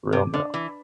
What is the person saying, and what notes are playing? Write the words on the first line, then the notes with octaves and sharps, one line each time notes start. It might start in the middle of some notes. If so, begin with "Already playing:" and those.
real, now.
C3
D3
E3